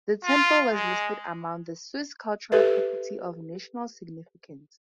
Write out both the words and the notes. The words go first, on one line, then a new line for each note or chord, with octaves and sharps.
The temple was listed among the Swiss Cultural Property of National Significance.
F4
G#3
G4 A4 B4 E5